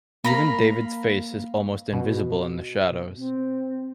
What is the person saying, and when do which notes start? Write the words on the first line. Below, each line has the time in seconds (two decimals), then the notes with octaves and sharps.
Even David's face is almost invisible in the shadows.
0.24 A#3 F5 A#5 B5
1.93 B2
3.17 C4